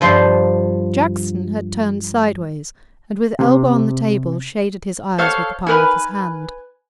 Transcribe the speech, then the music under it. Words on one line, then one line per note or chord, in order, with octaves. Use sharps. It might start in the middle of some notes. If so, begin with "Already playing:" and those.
Jackson had turned sideways, and with elbow on the table shaded his eyes with the palm of his hand.
G2 F3 C5
C3
A4 C5 C#5 F5
D#4 A#4 B4 G#5 B5